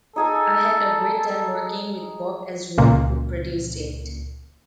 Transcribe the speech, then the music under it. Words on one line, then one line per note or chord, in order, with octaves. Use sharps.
I had a great time working with Bob Ezrin, who produced it.
D#4 G#4 A4 G#5
C#2 A#2